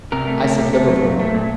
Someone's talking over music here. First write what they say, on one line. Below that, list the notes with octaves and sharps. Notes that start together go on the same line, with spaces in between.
"I said Liverpool."
C3 A#4
A3
A3
C3
A3
F#3
A#2
A3
A#2